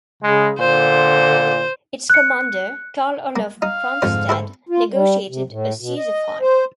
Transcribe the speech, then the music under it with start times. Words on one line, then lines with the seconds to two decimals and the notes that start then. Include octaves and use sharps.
Its commander, Carl Olof Cronstedt, negotiated a cease-fire.
0.23 C#3 G#3
0.59 A#2 D3 C5
2.10 F#6 C#7
3.36 A#3
3.62 D#4 F5
4.02 F2 G#2 D3 C5
4.29 E4 A4 C5
4.69 F4
4.92 G3
5.29 C3
5.50 A2
5.80 B2
5.97 D#5
6.41 C5